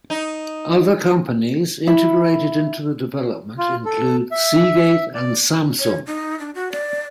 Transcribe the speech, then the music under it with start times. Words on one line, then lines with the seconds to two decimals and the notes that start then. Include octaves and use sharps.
Other companies integrated into the development include Seagate and Samsung.
0.10 D#4
1.87 E4
3.58 F4
3.85 A4
4.31 E5
5.15 D5
5.79 C#5
6.07 D#4
6.39 D4
6.55 F#4
6.72 D5